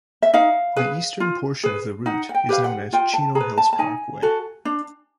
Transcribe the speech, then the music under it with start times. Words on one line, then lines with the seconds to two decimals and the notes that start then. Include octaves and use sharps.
The eastern portion of the route is known as Chino Hills Parkway.
0.22 E5
0.34 D#4 F5
0.76 G#4 B4
1.20 F4
1.64 G#4 B4
2.06 D#4 F#5
2.29 F#5
2.34 G5
2.49 G4 B4 F5
2.64 F#5
2.93 F4 G5
3.13 A5
3.35 G#4 A#5
3.40 B4
3.58 A5
3.73 A5
3.79 D#4 G#5
4.22 F#4 A4
4.65 D4